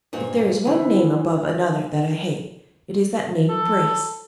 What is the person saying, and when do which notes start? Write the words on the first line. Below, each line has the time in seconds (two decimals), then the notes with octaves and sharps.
If there is one name above another that I hate, it is that name Brace!
0.13 D2 G2 A#2 C#5
0.65 D2 E3
3.49 A4